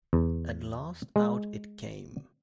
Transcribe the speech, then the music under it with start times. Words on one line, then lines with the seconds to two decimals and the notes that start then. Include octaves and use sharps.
At last out it came.
0.13 E2
1.16 G#3